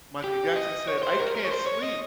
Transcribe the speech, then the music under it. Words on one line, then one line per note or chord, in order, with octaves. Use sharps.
Michael Jackson said, "I can't sleep
G4
D#5
C#5
C#5
C5
A#4
A#4
C#5
C5
C#5
D#5